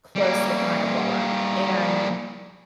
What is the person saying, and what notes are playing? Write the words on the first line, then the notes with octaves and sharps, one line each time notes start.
close with my abuela, and,
G3 A#3